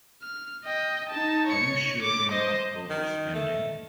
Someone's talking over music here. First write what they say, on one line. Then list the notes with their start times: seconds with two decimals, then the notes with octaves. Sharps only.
Are you sure you're not overspending?
0.23 F6
0.65 D#5 G5
1.10 D#4 A5
1.48 C#5 C#7
2.02 D6
2.31 C5 D#5
2.90 D#3
3.34 A3